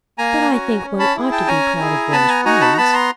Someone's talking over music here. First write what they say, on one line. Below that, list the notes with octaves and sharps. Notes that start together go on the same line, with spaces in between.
"But I think one ought to be proud of one's friends."
A#3 G#5 A#5
C#4 F#4
C#4
A5 B5
E4 G#4
G5 A5
C#4 G#5 A#5
E4 G#4
B3 A5 B5
G#5 A#5
D#4 F#4 G#5 A#5
A5 B5
A#5
B3 A5 B5
A#5 C6